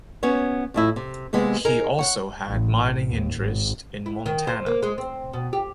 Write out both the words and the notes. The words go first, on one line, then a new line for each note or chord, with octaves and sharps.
He also had mining interests in Montana.
B3 C#4 F#4 C#5
F2 A2 E4
C3
D#2 C3 G#3 B3
D#4 G#4 A#4
C#5 F#5
A1
D#2
G#1
E4
D#3
C5
A#3
G#3
C4
B2
G4